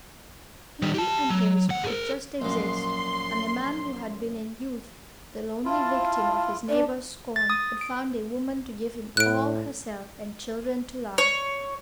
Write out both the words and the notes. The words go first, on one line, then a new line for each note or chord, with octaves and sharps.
He and his could just exist, and the man who had been in youth the lonely victim of his neighbours' scorn had found a woman to give him all herself and children to love.
D#3 G3
G4 A5
F#3
D#2 F#5
G#4 A#4
A#1 F#2 C6
E4 F4 F5 A5
C#4 D4 D5
A6
D#6
D7
A2 F#6 D7
C#5